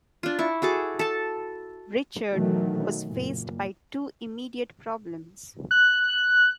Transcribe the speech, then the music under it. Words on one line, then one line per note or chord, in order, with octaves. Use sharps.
Richard was faced by two immediate problems.
D4 F4
E4 C#6
F#4 G#4 A4 D6
A4 A5
B2 D#3 E3 F#3 A3
F#1 A#2
F#6